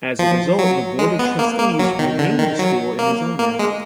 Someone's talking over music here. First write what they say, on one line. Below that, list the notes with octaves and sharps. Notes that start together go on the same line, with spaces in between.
As a result, the Board of Trustees renamed the school in his honor.
F3
F#3
G#3
B3
A#3
A#3
F#3
D#3
D3
D#3
F#3
A#3
A#3
G#3